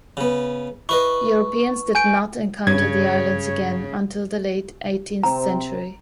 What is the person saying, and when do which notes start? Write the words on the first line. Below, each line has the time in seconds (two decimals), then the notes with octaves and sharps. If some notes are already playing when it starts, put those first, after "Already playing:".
Europeans did not encounter the islands again until the late eighteenth century.
0.17 C#3 B3
0.89 E4 B4 D#5 C#6
1.95 G#5 G6 D7
2.67 G2 C#3 C#5 G#6
5.23 C3 C4 A#5